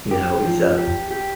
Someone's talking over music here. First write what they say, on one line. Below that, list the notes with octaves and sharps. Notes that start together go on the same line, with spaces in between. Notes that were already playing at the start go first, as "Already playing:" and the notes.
You know? It's a
G4
F3
G4
G4